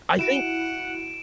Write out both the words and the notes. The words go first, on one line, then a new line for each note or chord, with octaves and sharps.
I think
E4 F#4 F#5 D7 E7